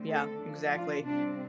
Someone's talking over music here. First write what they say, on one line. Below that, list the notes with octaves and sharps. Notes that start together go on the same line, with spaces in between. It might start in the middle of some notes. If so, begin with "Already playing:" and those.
Yeah, exactly.
Already playing: D3 A3 C4
A4
F3 D4
F4
C3 G3 C4 D4